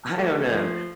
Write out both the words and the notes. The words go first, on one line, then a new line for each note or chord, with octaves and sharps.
I don't know.
A3 G4
F3